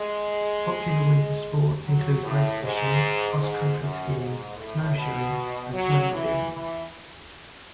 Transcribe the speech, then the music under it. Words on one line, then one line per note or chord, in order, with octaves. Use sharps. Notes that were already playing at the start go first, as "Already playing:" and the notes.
Popular winter sports include ice fishing, cross-country skiing, snowshoeing, and snowmobiling.
Already playing: G#3
F#3
A2
G#2
G#2
F#2
G#2
A2
B2
F#3
E3
E3